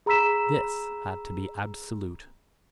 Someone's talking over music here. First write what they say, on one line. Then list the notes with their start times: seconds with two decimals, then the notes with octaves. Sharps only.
This had to be absolute.
0.06 G#4 A#5 B5 E6 B6 E7